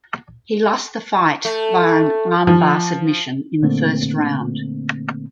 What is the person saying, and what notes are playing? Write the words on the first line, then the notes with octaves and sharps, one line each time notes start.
He lost the fight via an armbar submission in the first round.
A3
F3
A#2 D3 A3 A#3 C4